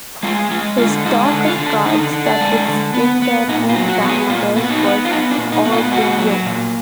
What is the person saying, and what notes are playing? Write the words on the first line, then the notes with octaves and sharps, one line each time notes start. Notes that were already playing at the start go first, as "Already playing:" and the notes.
His talk of guards that would skin their own grandmothers was all billy-o.
G#3 F4
G#3 F4
D3 F4
G#3 D#4
D4
D3
F4
D3
D4
D3 D#4
D3
D4
G#3
D3
B3
B3
A#2 D#4
F4
F#3
F#4
B3
G#4
A#2 F4
B3
D#4
B3
F4
B3 D#4
D4
A#2
D#4
B3
F4
A#2 F#4
F#3
A#2